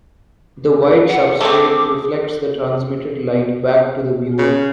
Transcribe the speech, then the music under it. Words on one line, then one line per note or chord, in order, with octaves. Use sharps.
The white substrate reflects the transmitted light back to the viewer.
F#5
A3 C4 G#4 D6
C#3